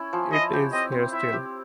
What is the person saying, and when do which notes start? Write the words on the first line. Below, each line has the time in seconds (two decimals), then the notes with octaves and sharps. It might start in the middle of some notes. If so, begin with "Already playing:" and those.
It is here still.
Already playing: C#4 E4
0.13 F3
0.32 E4 D#5
0.53 G4
0.73 C4 D#5
0.92 C4
1.12 E4 E5
1.33 G4